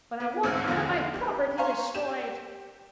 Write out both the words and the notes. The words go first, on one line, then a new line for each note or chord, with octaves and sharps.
"But I won't have my property destroyed."
B3
A1 D2 G#2 C4 E6 F6
A1 E2 D3 F3 F4
G4
C5 C#5 F5 G#5 A#5
G4 E7